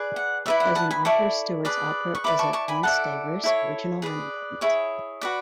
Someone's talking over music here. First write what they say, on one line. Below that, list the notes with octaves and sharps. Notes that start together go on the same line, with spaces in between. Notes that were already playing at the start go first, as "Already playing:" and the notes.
As an author, Stewart's output was at once diverse, original, and important.
Already playing: G#4 B4 D5
F#5
E4 B4 D5 E5
F#5
F#5 A5
G#5 B5
E4 A4 D5 A5 C#6
G#4 B4 D5
C#6
E4 B4 D5 B5 D6
A5 C#6
A5 C#6
G#5 B5
E4 A4 D5 F#5 A5
E4 A4 C#5
G#4 B4 D5
E4 G#4 C#5
F#4 B4 D5